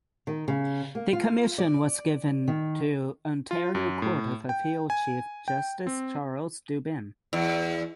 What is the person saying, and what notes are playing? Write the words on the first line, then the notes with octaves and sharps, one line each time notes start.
The commission was given to Ontario Court of Appeal Chief Justice Charles Dubin.
D#3
C#3
A#3
F4
D5
D#3
F4
F#2
A2
G5
G#5
G5
C4
E2